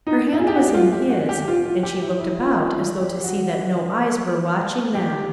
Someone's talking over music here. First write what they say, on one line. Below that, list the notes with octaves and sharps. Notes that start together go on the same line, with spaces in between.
Her hand was in his, and she looked about as though to see that no eyes were watching them.
D#4
E4
G#4
G4
F#4
F4
G4
F#4
G4
F4
F4
G4
E4
E4
F4
F4
F4
G4
F#4
G4